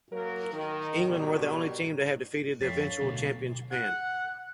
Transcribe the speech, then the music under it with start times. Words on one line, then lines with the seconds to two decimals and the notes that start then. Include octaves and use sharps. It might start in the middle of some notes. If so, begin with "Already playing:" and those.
England were the only team to have defeated the eventual champion Japan.
0.12 F#3 A#3 A#4
0.53 D#3
1.07 B2 D#3 F#3 G3
2.61 F2 D3 A#3 C#5 A6 B6 C7
3.01 D2 B2 F#3
3.72 F#5